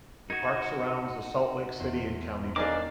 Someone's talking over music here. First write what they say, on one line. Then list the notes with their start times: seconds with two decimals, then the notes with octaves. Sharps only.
The park surrounds the Salt Lake City and County Building.
0.30 D#4 F#4 G#6
1.79 E2 C5
2.56 D#3 C#4 D4 F5 D6